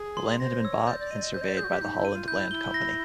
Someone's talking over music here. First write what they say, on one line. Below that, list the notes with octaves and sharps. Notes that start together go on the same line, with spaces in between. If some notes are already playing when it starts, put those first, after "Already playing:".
The land had been bought and surveyed by the Holland Land Company.
Already playing: G#4
C6
C5 A#6
C#5 E6
D5 G6
D5
D#5 D#7
D5
D#5
C5 G6
D#5
D5
G#4 G6
F#4
G4
D#4 G6
E4
D#7
F4
E4 G6
E4 G7
A#6